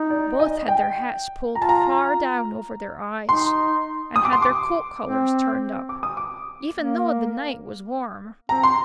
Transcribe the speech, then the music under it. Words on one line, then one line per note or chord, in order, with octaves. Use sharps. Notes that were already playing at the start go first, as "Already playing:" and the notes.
Both had their hats pulled far down over their eyes and had their coat collars turned up, even though the night was warm.
Already playing: D#4
D5
D#5
G5
F4 A#5
A5
A#5
D#4 C6
D#6
D6
C6
D6
C4
D6
D#6
D6
A#3
C4 A#5
C6